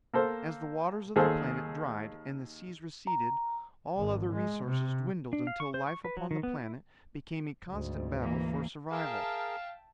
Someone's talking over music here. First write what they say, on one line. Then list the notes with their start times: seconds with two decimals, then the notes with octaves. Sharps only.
As the waters of the planet dried and the seas receded, all other resources dwindled until life upon the planet became a constant battle for survival.
0.14 A#3 A4 C5
1.16 D#2 G#4 A4 C5
3.07 A#5
3.97 G#1
4.33 G#3
4.65 C3
5.33 D4
5.47 F5
5.60 C#6
5.74 C5
5.87 C#6
6.05 B4
6.17 F#3
6.31 D#3
6.43 B3
6.57 E4
7.70 D2 G#2
8.20 E3 A#3
8.91 G#4 A#4 E5 F5 G5 A5